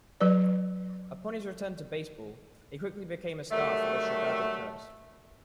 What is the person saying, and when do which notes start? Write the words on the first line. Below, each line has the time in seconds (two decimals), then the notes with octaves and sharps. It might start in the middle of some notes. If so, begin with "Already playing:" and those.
Upon his return to baseball he quickly became a star for the Chicago Cubs.
0.20 F#3 B4 D5
3.51 D#3 F#3 G3 A3